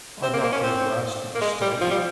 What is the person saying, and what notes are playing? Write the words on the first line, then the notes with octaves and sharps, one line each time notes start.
I'm not going to ask you to stay.
C4
A#3
A#3
C#4
C4
A#3
G#3
G3
F3
G3